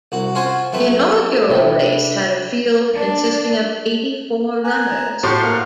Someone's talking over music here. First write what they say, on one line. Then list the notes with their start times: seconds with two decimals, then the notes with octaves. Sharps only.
The inaugural race had a field consisting of eighty-four runners.
0.12 C2 F#4
0.35 C#4 F4 F#4 C5 G#5
0.73 F#3 A3 C4 B4
1.49 C3 D4 A4 B4 E5 G5
2.94 D4
4.64 G#5 A#5 F#6
5.23 A2 F#4 G4 C5 A5 C6
5.43 A#3 F#5 F6